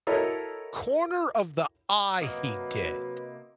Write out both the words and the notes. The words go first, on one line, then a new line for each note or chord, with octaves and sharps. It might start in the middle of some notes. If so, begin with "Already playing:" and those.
Corner of the eye, he did
E4 F#4 A4 A#4 C#5 D#5
C3 F#3 A#3 F#4 B4 D#5